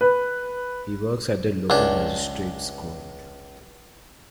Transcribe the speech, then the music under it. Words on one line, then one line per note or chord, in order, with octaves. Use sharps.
He works at the local magistrate’s court.
B4
C#2 D4